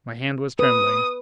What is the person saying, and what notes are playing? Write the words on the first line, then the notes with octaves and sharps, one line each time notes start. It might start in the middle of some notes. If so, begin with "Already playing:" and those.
My hand was trembling.
B4 D#6